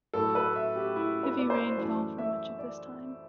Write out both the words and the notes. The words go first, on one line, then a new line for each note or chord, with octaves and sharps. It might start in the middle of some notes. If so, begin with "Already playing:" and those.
Heavy rain fell for much of this time.
A2 F#3 A3 A4
B4
E5
G4
E4
B4
D5
C5
F#2 E3 A3 D5
E5
D5